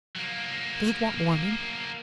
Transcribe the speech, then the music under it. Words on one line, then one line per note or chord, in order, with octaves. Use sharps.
Does it want warming?
F#3 A#3